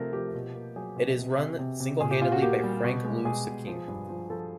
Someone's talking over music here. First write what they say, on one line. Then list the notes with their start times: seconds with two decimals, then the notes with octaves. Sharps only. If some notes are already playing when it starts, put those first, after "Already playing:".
It is run single-handedly by Frank Lu Siqing.
Already playing: C3 F3 A3 A#4
0.13 F3 G4
0.34 B2
0.55 A#3
0.76 F#3 G#4
0.96 B2
1.17 C3
1.38 C3
1.59 C3
1.80 C3
2.00 A#2 G#4
2.11 G4
2.21 A#2 F4
2.32 F#4
2.42 A#3 G4
2.64 G3
2.84 B2
3.04 G#3
3.25 B2 G#4
3.46 B2
3.67 F3
3.88 G2
4.09 F3
4.30 F3 A4